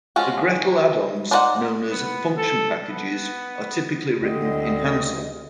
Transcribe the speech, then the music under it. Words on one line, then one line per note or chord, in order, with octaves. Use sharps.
The gretl add-ons known as "function packages" are typically written in hansl.
F3 G#3 C#4 F4 F#4
D4 D#4 C5 D5 F#5
B3
A4
B3
D2 D3 C4 D#5